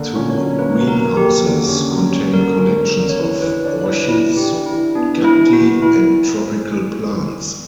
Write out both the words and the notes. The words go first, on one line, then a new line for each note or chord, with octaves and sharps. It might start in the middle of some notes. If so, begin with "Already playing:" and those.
Two greenhouses contain collections of orchids, cacti, and tropical plants.
Already playing: D3 A#3
C#4
C#5
F#3
A#3 B4
F#3
A#4
A#3
G4
A#3
D3
C#4
F#3
C#4
D3 A#4
C#4
C#4
D3
C#5
E3 B4
E3 B4
D4 C#5
E3 B4
E3 E4
D4
G4
E3
E4
E3
B3 D4
E3
E4
E3
F#4
E3
E3 E4